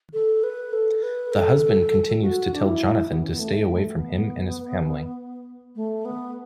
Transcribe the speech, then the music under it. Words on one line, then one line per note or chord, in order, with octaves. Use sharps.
The husband continues to tell Jonathan to stay away from him and his family.
A4
B4
A4
B4
A4
F#4
D4
E4
B3
C#4
B3
A3
A3
B3
A3
B3